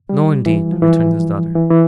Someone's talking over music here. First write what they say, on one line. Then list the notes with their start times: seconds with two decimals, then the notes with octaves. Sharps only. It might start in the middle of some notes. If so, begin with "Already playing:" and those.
'No, indeed,' returned his daughter.
0.09 G3
0.46 E3
0.72 F3
0.82 E3
1.55 E3
1.70 E3